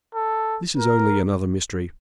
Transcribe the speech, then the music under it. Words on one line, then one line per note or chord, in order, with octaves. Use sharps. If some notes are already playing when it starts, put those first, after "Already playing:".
This is only another mystery.
A4
A#4